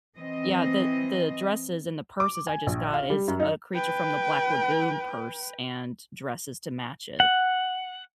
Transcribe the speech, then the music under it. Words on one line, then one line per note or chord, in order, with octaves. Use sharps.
yeah, the the dresses and the purses I just got is a creature from the Black Lagoon purse and dresses to match it.
E3 C4 D#5
D6
G#5
A#1
F5
G3
F#2
D#4
B4 G5
F#5